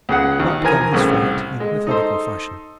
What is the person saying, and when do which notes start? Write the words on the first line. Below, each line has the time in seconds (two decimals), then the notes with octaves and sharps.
Pratt began his flight in methodical fashion.
0.09 C#2 G#4 F#5
0.40 D#2
0.62 E3 F3 A#4 G#5
0.92 C2 A2 C#3
1.60 G#3
1.87 D#4 A4 C5